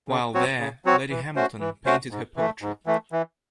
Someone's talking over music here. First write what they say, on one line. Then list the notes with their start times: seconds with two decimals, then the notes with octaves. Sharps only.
While there, Lady Hamilton painted her portrait.
0.08 C#3
0.34 F#3 C4 F#4 C#5
0.59 C#3
0.85 F#3 C4 F#4 C#5
1.10 E3
1.35 A3 C#4 F#4 C5
1.60 E3
1.85 A3 C#4 F#4 C5
2.11 G#2
2.36 E3 A3
2.62 G#2
2.86 E3 A3
3.12 E3